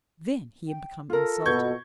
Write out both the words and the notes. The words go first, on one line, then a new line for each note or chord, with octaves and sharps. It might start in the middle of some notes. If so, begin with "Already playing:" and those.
Then he had become insulting.
G5
F4 A4 A#4
B2 C#6 G6 G#6